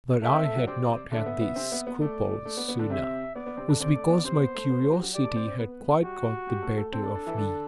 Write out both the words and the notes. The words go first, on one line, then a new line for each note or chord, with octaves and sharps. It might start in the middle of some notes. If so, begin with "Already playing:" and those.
That I had not had these scruples sooner was because my curiosity had quite got the better of me.
A3 A4 E5
C4 C5
A3 A4
F#3 F#4
C3 C4 D5
D3 D4 E5
B3
B3
C3 C4
B3
B3
A3 D5
A3
B3
B3
D3 D4
C3 C4 E5
B3 D5
B3
C3 C4
D3 D4
C3 C4 D5
A3
B3
C3 C4 C5
B3
A3
B3
A3
F#3 F#4
G4
F#3 F#4
G3 G4 D5
A3 A4
C4 C5
C4 C5
B3 B4
G3 F#4 G4
G3 G4
A3 A4
A3 A4
C4 A4 C5
D4 D5
D4 D5
E3 E4
D3 D4